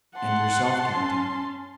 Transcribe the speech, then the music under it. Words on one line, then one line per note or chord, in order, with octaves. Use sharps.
"And yourself, captain?"
F#5 A5 C6
C#4